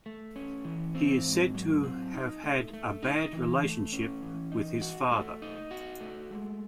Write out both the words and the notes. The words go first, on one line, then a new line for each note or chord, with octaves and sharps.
He is said to have had a bad relationship with his father.
A3
C#4
E3
C4
G#2
F#3
C4
D#4
A3
A3
D#4
E3
A3
C#4
E3
D#4
F#4
A3
D#4
F#4
A3
G#3